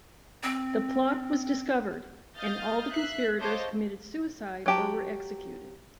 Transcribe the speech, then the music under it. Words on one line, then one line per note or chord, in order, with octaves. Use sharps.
The plot was discovered, and all the conspirators committed suicide or were executed.
C4
D#5 F5 D#6 F6 G6 A6
E5 F#6 C7
F4 C5 C#5 D#5 A5 D6
F#3 G4 A5